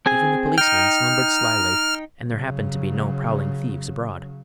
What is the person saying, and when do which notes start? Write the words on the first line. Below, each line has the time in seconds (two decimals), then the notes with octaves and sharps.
Even the policemen slumbered slyly and there happened to be no prowling thieves abroad.
0.06 C4 G#4 G#5
0.58 D#4 G5 F6
2.26 C#3 F#3